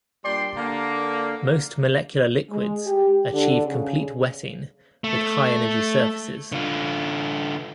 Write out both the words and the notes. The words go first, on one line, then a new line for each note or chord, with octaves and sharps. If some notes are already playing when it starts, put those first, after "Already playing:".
Most molecular liquids achieve complete wetting with high-energy surfaces.
A#2 G3 D4 D5 G5 C6
D3 A#3
G#3
G4
D3
C#3
A3
D3 F4